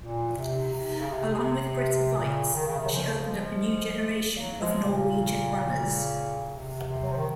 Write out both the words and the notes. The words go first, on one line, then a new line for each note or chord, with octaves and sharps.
Along with Grete Waitz, she opened up a new generation of Norwegian runners.
A#2
C3
C3
C#3
C3
C3
A#2 C#3
D#3
C#3
C3 D#3
F#3
C#3 F3
F3 G#3
F#3 A#3
F3 G#3
A#2 C#3
C3
C3
F#3
F3
D#3